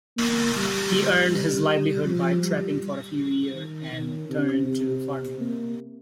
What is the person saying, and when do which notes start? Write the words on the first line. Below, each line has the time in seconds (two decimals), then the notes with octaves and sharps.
He earned his livelihood by trapping for a few years, then turned to farming.
0.18 A#3
0.56 G3
1.30 G3
2.05 F3
2.42 G3
3.54 D#3
3.92 D#3
4.29 C3
4.66 C3
5.40 A#3